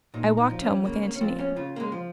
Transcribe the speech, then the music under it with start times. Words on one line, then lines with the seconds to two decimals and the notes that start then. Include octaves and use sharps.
I walked home with Antonia.
0.14 A#2 D#4
0.37 D#4
0.50 F3
0.61 C#4
0.85 C#3 A#3
1.03 A#3
1.15 C#4
1.21 F3 C4
1.39 C#4
1.56 C#3 F4
1.76 A#3
1.80 G#3
1.92 F3